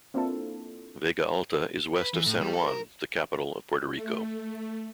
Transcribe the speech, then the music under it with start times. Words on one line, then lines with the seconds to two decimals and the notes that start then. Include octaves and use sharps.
Vega Alta is west of San Juan, the capital of Puerto Rico.
0.14 A#3 C4 D4 E4 F4 A4
1.96 B4
2.14 E3
2.26 A2
2.41 G3
2.53 A4
2.67 A#4
3.94 A3